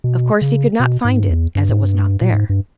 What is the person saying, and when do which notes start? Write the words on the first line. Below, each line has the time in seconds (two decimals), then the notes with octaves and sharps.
Of course he could not find it, as it was not there.
0.04 B2
0.42 C#3
0.80 B2
1.05 G#2
1.23 G2
1.30 E2
1.55 G2
1.69 G#2
1.83 G2
2.21 A#2
2.31 G#2
2.50 G2